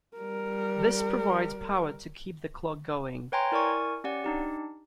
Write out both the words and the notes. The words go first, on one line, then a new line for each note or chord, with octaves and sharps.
This provides power to keep the clock going.
G3 A#4
B4 C#5 G5 G#5 A#5 C6
E4 A#4 D5 G#5 C#6
C#4 G4 D5 F#5
D4 D#4 G4